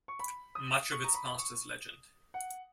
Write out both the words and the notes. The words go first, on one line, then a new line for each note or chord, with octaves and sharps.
Much of its past is legend.
C#6
B5
D#6
C#6
A#5
B5
C#6
F#5